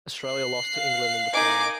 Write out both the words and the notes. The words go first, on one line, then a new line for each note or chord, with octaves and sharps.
Australia lost to England in the final.
F#6 C7
F5
D#4 A#4 G#5 D6